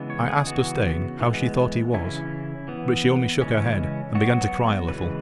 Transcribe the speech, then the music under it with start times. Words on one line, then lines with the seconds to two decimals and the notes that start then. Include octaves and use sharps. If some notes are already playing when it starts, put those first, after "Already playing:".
I asked Ustane how she thought he was; but she only shook her head and began to cry a little.
Already playing: C#3 E3 G#3 B3
0.10 C#5
0.28 G#4
0.47 C#3 E3 B3 F#4
1.21 E3 G#3 B3
1.94 C#3 E3 C#4 E4
2.68 E3 B3
3.41 C#3 E3 G#3 C#4
4.15 F#3 B3 F#4
4.89 C#3 E3 G#3 B4